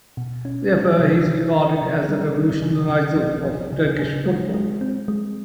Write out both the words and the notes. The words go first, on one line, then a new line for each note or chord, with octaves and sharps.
Therefore, he's regarded as the revolutionizer of Turkish football.
B2
C#4
G#3
C3
C3
E3
C3
G3
G3
C#3
C#3
F3
F3
C#3
C#3
G#3
G#3
C4
G#3